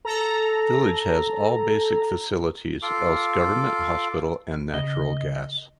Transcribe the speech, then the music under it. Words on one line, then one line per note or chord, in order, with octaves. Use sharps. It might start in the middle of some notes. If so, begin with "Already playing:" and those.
Village has all basic facilities else government hospital and natural gas.
A4 A#5
F4 A4 F5 D6
C#3 D#5